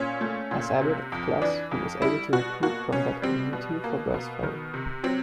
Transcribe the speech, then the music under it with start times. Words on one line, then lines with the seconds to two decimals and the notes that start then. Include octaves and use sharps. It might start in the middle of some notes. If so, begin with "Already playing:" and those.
As abbot of Clus, he was able to recruit from that community for Bursfelde.
Already playing: A#2 C#4
0.21 A3
0.51 A#2
0.81 C3
1.12 F2
1.42 E3 D4
1.71 F2
2.02 G3 E4
2.33 B2 F#4
2.63 A#3 F#4
2.92 B2 C#4
3.22 G3 C4
3.53 B2
3.84 A#3
4.14 B2
4.43 D#3
4.74 C3
5.03 F#3 C4